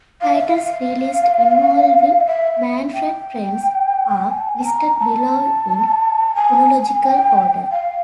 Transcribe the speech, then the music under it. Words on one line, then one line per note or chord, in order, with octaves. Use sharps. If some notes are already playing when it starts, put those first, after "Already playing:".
Titles released involving Manfred Trenz are listed below in chronological order.
F5
E5
F5
D#5
E5
G5
G#5
A5
G#5
A5
A#5
A5
G#5
G5
F5